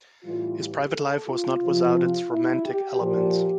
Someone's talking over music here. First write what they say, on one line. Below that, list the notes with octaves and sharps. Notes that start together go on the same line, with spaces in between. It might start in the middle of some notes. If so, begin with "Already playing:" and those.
His private life was not without its romantic elements.
A2 E3 G3 F4
G4
A4
F4
C3 F3
E4
G4
A#2 F3 G4